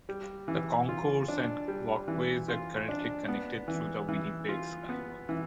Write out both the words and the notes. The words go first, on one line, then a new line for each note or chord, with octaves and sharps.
The concourse and walkways are currently connected through the Winnipeg Skywalk.
G3
E3
F4
D4
G3
E3
F4
D4
B3
E3
E3
F4
B3
E3